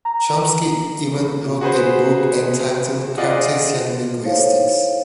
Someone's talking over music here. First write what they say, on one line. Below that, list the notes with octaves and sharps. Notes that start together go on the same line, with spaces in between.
Chomsky even wrote a book entitled "Cartesian Linguistics".
A#5
F#4 G#4 B4 C5
F4 G#4 D5 D#5 F#5
D#4 E4 A4 C5 C#5 F5